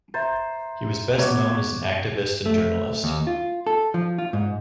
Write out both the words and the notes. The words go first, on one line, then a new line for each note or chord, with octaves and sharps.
He was best known as an activist and journalist.
C5 E5 A#5 A6
B2 C#5 D6
A3
D#2
F4
A4
F3
F4
G#2